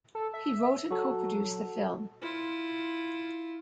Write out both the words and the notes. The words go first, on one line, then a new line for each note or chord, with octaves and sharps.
He wrote and co-produced the film.
A4
E5
F#3 F#4 A4
E4 F4